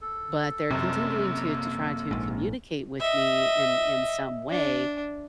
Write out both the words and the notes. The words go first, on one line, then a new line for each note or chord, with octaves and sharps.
but they're continuing to to try to communicate with me in in some way
A4
F#1 F#2 C3 A#3 A5
A#1 G#2
D#5 E5
D4